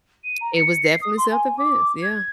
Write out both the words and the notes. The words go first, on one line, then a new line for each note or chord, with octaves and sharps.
It was definitely self-defense. Yeah.
D#7
A#5
C#7
C7
D#6
C6
G#5
D6
G#6